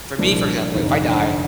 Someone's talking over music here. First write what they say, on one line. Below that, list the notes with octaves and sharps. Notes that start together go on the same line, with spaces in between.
for me, for example, if I die
C2 A#2 F3 D4
G1 F2 C3 D#4
D4
D#4
D4